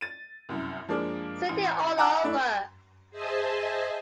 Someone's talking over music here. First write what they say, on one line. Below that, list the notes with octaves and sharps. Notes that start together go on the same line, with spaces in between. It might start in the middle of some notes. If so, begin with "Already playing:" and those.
City All Over!
A6 D#7
C2 F#2
F3 G#3 A#3 D4
A1
F#5 G#5 A#5 D6 E6 F#6
A3 D4 E4
G#4 C5 D#5 E5 G#5 A5